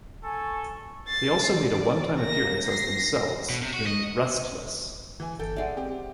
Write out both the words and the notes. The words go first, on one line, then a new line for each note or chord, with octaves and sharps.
They also made a one-time appearance as themselves in "Restless".
A4 G#5 C#6
A6 C7
D5
A#3 A#6
A#6 C7
B2
C3
F#4
D#5
E3 G#5
G1 A4 G5
G#3 D5 E5 F#5
C4 G4